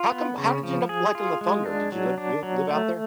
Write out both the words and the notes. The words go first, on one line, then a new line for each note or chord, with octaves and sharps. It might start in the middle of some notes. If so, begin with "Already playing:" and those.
how come how did you end up liking the Thunder? Did you live live live out there?
Already playing: F4
B3
C#3
F3
G#4
F4
G#3
D4
F#3
D4
F#3
A3